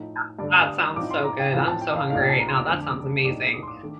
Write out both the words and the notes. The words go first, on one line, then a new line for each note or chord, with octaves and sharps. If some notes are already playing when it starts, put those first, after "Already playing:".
yeah, that sounds so good, I'm so hungry right now, that sounds amazing.
Already playing: A2 F3 A3 D#4
G2 D3 A3 D5
F5
D#6
A2 F3 C4 D#4 D6
C6
A#5
G5
A2 F3 A3 C4 F5
A5
G5
F5
A#1 A#2 A3 D#4 F5
G5
A5
A#5
C6
D6
F2 D3 A3
A#1 A2 A3 D#4 D6
D#6
C6
D6
D#3 A3 D4